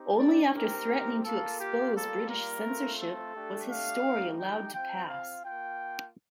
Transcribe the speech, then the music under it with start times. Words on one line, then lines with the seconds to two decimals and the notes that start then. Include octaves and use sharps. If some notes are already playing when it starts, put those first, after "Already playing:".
Only after threatening to expose British censorship was his story allowed to pass.
Already playing: C4 D#4 G4
0.19 D5
0.54 C4 D#4 G4 A#4
1.24 A#3 F4 A4
1.59 G4
1.94 G3 A#3 F4 A4
2.29 A#4
2.64 A3 C4 F4
3.00 A4
3.34 A3 D4 G4
3.69 F5
4.05 A3 D#4 G4
4.40 G5
4.74 C4 F4 G5
5.09 F5
5.44 A#3 F4 G5